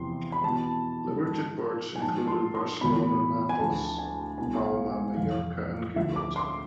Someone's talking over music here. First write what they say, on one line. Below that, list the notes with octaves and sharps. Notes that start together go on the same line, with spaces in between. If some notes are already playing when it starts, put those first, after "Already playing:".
Liberty ports included Barcelona, Naples, Palma Majorca, and Gibraltar.
Already playing: E2 C3 F3 C6
B5
E2 B2 A5
G#2 F3
G#5
G#2 F3 A5
C6
C6
E2 B2 B5
G#5
D2 D3 F3 A5
G#5
C2 B2 G#5
F5
G#5
F2 C3 E3 F5
D2 D3 F3 E5
D6
C6